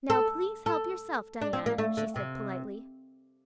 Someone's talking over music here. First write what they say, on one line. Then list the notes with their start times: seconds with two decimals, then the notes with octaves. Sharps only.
"Now, please help yourself, Diana," she said politely.
0.10 A4
0.66 A4
1.41 D4
1.53 C4
1.66 A#3
1.78 A3
1.97 D3
2.16 C3